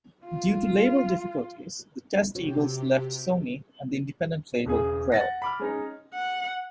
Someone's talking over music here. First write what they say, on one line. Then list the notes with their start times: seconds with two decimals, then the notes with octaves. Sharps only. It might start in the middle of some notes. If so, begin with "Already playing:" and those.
Due to label difficulties, the Testeagles left Sony and the independent label, Krell.
0.25 F4
2.35 C3 F#4 G4 C#5
4.65 E1 C#3 G#4
5.12 F#5 A6 A#6
5.42 B5 D6 F6
5.60 G#3 C#4 D#4
6.14 F#5